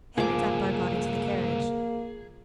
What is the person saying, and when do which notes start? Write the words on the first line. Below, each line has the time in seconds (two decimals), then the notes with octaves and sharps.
Henry Dunbar got into the carriage.
0.18 C#2 G2 F3 A#3 G#4 D6